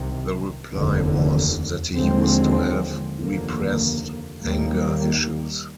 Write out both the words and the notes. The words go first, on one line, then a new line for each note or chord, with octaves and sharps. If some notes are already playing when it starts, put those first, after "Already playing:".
The reply was that he used to have "repressed anger issues".
Already playing: C2 C3 D#3
F1 D#2 D3
D#2 D3 F3 G#3 C4
F1 D#2 D3 F3 A#3
D#2 D#3 G3 A#3